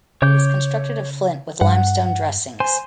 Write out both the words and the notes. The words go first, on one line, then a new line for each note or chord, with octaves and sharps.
It is constructed of flint with limestone dressings.
C#3 C#5 D6 G6
G2 F#5
C5 G#5 C6